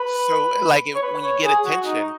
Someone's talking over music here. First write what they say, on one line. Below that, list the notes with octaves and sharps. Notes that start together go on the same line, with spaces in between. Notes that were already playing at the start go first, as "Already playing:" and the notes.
So, eh, like when you get attention
Already playing: B4
C#5
B4
C#5
G#4
F#4
D#4